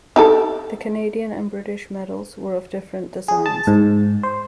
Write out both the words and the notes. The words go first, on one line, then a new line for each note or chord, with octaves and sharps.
The Canadian and British medals were of different designs.
D#4 G4 A4
G#4
A5
G#2
C5